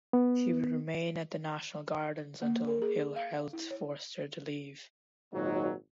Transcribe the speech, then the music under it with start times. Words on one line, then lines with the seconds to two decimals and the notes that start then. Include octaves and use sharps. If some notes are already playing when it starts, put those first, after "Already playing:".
She would remain at the National Gardens until ill health forced her to leave.
0.13 B3
2.42 A#3
2.67 A#4
2.82 G#4
3.16 F5
3.53 E4
3.71 C#5
5.33 G#1 A#2 F#3 D#4